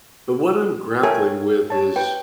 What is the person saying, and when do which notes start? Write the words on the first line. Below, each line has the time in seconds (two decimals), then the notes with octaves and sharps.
but what I'm grappling with is
1.03 A4 A#4 C#5 E5 G5 G#5
1.70 C#5 A5
1.96 B4 G5